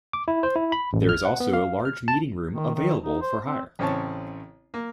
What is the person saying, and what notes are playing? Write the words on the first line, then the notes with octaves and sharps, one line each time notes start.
There is also a large meeting room available for hire.
D6
E4
C5
E4
B5
A1
F6
F#5
B3
F5
F6
A5
D#3
D#3
D#4
C5
C4
A1 C#3 C4 C#5 A5
A#3